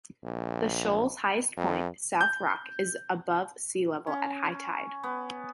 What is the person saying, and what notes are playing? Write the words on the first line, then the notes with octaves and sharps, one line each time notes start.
The shoal's highest point, "South Rock", is above sea-level at high tide.
A#1
F2
G6
C#4
B3